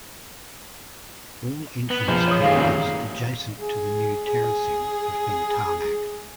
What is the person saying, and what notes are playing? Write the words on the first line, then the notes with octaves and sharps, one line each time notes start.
All entrance areas adjacent to the new terracing have been tarmacked.
B3
A#1 F3
C#5 D#6
G2 D#3 A3 G4 G#4 F5
A#2
G#4
G#4